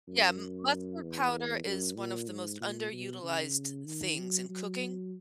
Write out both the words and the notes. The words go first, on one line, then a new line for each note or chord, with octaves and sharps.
Yeah, m mustard powder is one of the most underutilized things in cooking.
F#2
E2
F#2
A#2
G#2
A#2
B2
C#3
D#3
F#3
F#3